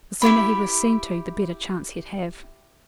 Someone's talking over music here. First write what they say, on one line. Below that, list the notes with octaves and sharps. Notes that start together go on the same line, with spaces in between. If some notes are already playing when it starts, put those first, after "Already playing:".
The sooner he was seen to, the better chance he'd have.
E4 F4 G4 B5